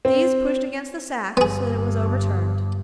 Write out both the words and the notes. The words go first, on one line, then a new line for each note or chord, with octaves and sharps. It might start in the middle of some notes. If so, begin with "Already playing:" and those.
These pushed against the sack so that it was overturned.
C4
G1 G2 B3 G#4